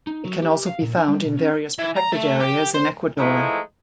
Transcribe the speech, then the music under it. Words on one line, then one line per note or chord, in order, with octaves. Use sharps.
It can also be found in various protected areas in Ecuador.
D#4
F#3
G4
F5
A#2
D4
G3
B2
C#4
E3
A#5
A3
G4
C5
E3 F3 G#3 A3 D#4 E4